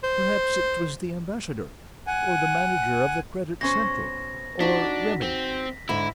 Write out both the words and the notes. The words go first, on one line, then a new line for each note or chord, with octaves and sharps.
"Perhaps it was the ambassador ... or the manager of the Credit Central ... or Remy."
C5
F#5 G#5
B2 C#4 C5 A#6
D4 D#4 F#4 B6
C4
G#2 D3 E4